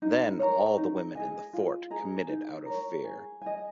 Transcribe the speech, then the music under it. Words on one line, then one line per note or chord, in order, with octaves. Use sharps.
Then all the women in the fort committed out of fear.
D#4
A#4 C#5
D#4
G#4 D#5 G#5
F4
G#4 D#5 A#5
D#4
A#4 C#5
G#4
D#5 G#5